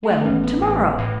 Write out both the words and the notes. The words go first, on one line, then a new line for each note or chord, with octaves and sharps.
"Well, to-morrow."
G#3
A3
B3
A1 A2 E3 C#4
B3
A1 A2 E3
A2 E3